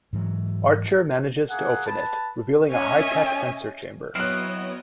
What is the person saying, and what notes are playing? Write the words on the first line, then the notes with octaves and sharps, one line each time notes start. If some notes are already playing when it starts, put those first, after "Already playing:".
Archer manages to open it, revealing a high-tech sensor chamber.
G#2 E3 F#3
A#3 G#4 F#5
B4 A5
C#4 C#5 D#5 E5 G#5
F#3 B3 C4 E4 C#5 D#5 F6 F#6